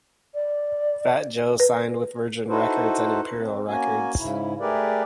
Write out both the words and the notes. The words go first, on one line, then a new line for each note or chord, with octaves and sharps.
Fat Joe signed with Virgin Records and Imperial Records.
D5
B4
D#4 E4 F#4 A4 B4 C5
C4
A#3 C#4 F#4 G#5
G#2 C#3 E4
A3 G4 G#4 A#4 B4 D5